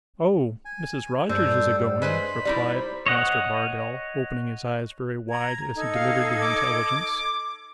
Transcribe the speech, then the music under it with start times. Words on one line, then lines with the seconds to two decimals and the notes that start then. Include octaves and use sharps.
'Oh! Mrs. Rogers is a-goin',' replied Master Bardell, opening his eyes very wide as he delivered the intelligence.
0.65 G#5
1.29 G2 G3 A4 C5
2.02 G#3 B4 C5 B5
2.45 G3 D#4 E4 D5
2.75 C5
3.06 C#5 D#5 F#5
5.29 A#5 G#6
5.74 D#4 A4 G#6
5.95 F5
6.41 D6